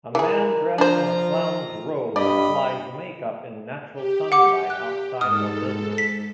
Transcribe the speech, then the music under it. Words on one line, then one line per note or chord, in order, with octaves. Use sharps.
A man dressed in a clown 's robe applies makeup in natural sunlight outside of a building.
E3 G#4 A#4 B4
F3 D4 F4 C5 A#5
G2 D5 D#5 B5
G4
F#5 D6
F#6
G#2 A4 D#6 F6
B6